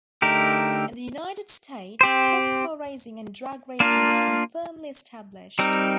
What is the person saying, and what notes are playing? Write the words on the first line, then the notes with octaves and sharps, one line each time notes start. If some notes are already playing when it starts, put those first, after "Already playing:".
In the United States, stock car racing and drag racing became firmly established.
D3 A3 D#4 G4 A#4
C4 G4 C5
A#3 D4 F4 A#4
G3 C4 D#4 A#4